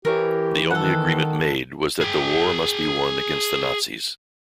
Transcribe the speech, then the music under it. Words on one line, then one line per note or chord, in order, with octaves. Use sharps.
The only agreement made was that the war must be won against the Nazis.
E3 G4 A#4 C#5
D#3 A4 F#5
G#4 G5